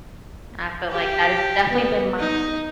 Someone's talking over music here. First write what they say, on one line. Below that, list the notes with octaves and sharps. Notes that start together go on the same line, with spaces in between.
I feel like that has definitely been my
G4
B3
D#4